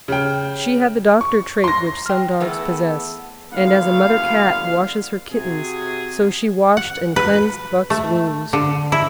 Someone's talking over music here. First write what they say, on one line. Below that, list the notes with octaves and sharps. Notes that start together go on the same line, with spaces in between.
She had the doctor trait which some dogs possess; and as a mother cat washes her kittens, so she washed and cleansed Buck's wounds.
C#3 G5
C#6
C6 A#6
G5 F6
E2 A3 B3 G#4 A5 E6
F#1 C2 D3 B3 F5
C3 F#4 G#4
F#5
B4
A3
D3
E4